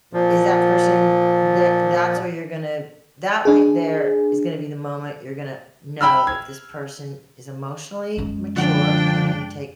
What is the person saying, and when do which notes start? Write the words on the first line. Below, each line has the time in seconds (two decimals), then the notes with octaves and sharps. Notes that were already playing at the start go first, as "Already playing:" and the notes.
Is that person tha that's where you're gonna that right there, is gonna be the moment you're gonna know if this person is emotionally mature, and can take
0.13 A#2 F3
3.45 D4 G#4
6.01 G5 B5 E6 F6
6.27 G#6
8.17 F#2 G#3
8.56 D3 F3 D4 G5